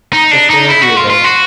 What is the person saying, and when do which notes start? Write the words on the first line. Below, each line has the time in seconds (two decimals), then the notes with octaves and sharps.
"If they're agreeable."
0.13 D#4
0.31 D4
0.50 D#4
0.69 E4
0.82 F#4
0.97 F4
1.10 F4
1.24 F#4